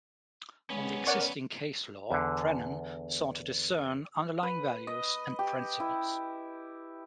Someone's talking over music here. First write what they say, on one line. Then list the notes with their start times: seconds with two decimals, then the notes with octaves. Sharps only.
From the existing case law, Brennan sought to discern underlying values and principles.
0.70 G#3 B3 C#4
1.07 A#4 C#5 D5 F#5
2.11 E2 D3
4.43 B4
4.87 D#5
5.39 G4
5.80 E4